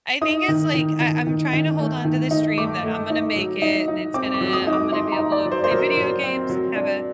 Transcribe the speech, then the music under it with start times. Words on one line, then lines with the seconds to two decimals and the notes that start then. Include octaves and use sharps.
I think it's like, I I'm trying to hold on to this dream that I'm gonna make it and it's gonna I'm gonna be able to play video games and have a
0.21 D#4 D#6
0.48 D#3
0.74 D#3
1.00 D#3
1.27 D#3
1.53 D#3
1.79 A3
2.04 D#3
2.31 D#4
2.58 A3 D6
2.83 A3
3.10 D#4
3.36 F#3
3.62 D#4
3.88 D#4
4.14 C4 D6
4.34 D6
4.41 F#3
4.53 D#6
4.67 D#4
4.73 D6
4.92 D#4 C6
5.12 A#5
5.19 D#4
5.32 D5
5.46 F#3
5.52 C5
5.64 C5
5.71 F#3 A#4
5.97 F#3
6.24 C4
6.50 F#3
6.76 D4